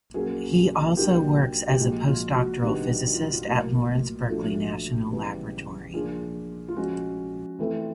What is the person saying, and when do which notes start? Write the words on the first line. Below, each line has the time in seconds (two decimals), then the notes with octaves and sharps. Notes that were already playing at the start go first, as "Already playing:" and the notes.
He also works as a postdoctoral physicist at Lawrence Berkeley National Laboratory.
0.14 F#3 A#3 C#4 G#4
0.97 F#3 A#3 D4 F4 G4
1.69 G4
1.80 A#2 F3 G#3 F#4
2.07 F4
2.35 F#4
2.62 C3 D#3 G3 B3 D4 F#4
3.04 F#4
3.13 F4
3.31 F4
3.45 A2 F#3 A#3
4.28 F3 A3 D4 F4 F#4
5.11 C#3 E3 G3 B3
5.93 F3 A#3 D4 F4 G#4
6.68 F4
6.76 F3 G#3 C#4 F#4
7.59 E3 A3 C4 F4